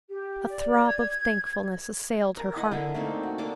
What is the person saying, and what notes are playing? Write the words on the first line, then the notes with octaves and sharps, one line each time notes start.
A throb of thankfulness assailed her heart.
G4
D5
G#6
A#4
E4 D#5 F#5
D3 A#4 E5
A3 A#3 C4 D#4
F#4
A#3 D4 A4 D6